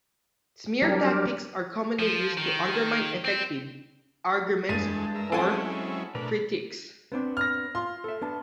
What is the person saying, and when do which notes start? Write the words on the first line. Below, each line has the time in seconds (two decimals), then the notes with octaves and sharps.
Smear tactics are commonly used to undermine effective arguments or critiques.
0.82 F#3 G3 D4 G4 A#4
1.99 F3
2.37 D#3
3.25 C4
4.69 E2 G2 G#3 G#4 A4 A6 D#7
5.15 A#4 E5
5.32 F#3 G#3 C4 C#4 E4 A4 F#5 G#5
6.15 B2 A3 D4 A#4 B4
7.12 B3 C4 D4
7.37 F6 A#6
7.75 F4 F5 C6
8.04 A4 E5
8.21 B3 D4 A5